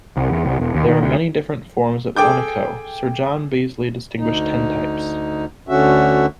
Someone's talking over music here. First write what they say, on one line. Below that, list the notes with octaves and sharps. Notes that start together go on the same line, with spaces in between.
There are many different forms of oenochoe; Sir John Beazley distinguished ten types.
C2
E2
C2
E1
D#2
D#3
D2
G#4 A4 G5 D6 G6
D2 D#4
D2 D3 C#4 F#4 E5